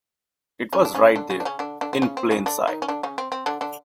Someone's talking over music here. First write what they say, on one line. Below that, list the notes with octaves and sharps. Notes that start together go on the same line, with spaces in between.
It was right there, in plain sight!
C#3 C#4
D4
C#3 C#4
D3 D4
C#3 C#4
D4
C#3 C#4
D3 D4
D3 D4
C4
C#3 C#4
C4
C#3 C#4
D3 D4
D#3 D#4
C#4
D3 D4
C#3 C#4
C4
C4
D3 D4
D3 D4